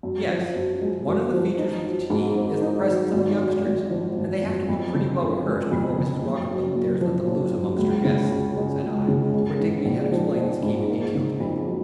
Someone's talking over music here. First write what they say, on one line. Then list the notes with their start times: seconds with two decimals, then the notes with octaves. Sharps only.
"Yes; one of the features of the tea is the presence of the youngsters, and they have to be pretty well rehearsed before Mrs. Rockerbilt dares let them loose among her guests," said I, for Digby had explained the scheme in detail to me.
0.03 F#2
0.29 F3
0.55 F#2
0.81 G#3
1.07 F#2
1.33 F3
1.59 D#4
1.85 F#3
2.10 G#2
2.36 C4
2.62 D#4
2.88 F#3
3.13 G#1
3.39 F#2
3.66 G#1
3.91 F3
4.17 G#1
4.43 F#2
4.69 F2
4.95 C#3
5.21 F2
5.46 G#3
5.72 F2
5.98 C#3
6.23 F#1
6.50 F#2
6.75 F#1
7.01 F3
7.27 F#1
7.53 F#2
7.79 C#2
8.04 C#3
8.31 C#2
8.57 G#3
8.83 C#2
9.08 C#3
9.34 G#3
9.60 G#2
9.85 A#1
10.11 F3
10.38 G#3
10.63 G#2
10.90 A#3
11.15 C#3
11.40 F2
11.66 F#3